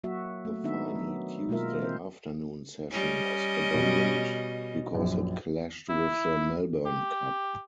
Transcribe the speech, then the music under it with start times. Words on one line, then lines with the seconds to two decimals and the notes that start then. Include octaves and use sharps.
The final Tuesday afternoon session was abandoned, because it clashed with the Melbourne Cup.
0.04 F#3 A#3 F#4 E5
0.45 A3
0.64 D#3 B3 D4 D#4 E5
0.95 F#3 B3
1.49 B2 G#3 A#3 F4 A#4 E5
1.79 E3 C4 C5
2.91 G3 C#4 D#5
3.74 B2
4.95 A#1 F#2
5.90 E4
6.86 G4